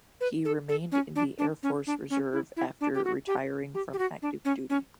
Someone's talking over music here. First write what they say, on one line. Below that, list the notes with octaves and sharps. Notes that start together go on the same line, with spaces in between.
He remained in the Air Force Reserve after retiring from active duty.
B4
A4
A4
C#4
D4
D4
C#4
D4
C#4
E4
E4
D4
G4
F#4
G4
G4
G4
F#4
D4
C#4
C#4